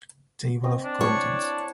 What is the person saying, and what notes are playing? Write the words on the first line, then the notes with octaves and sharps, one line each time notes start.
Table of Contents.
C4 D#5
D4
E4 C#5 A5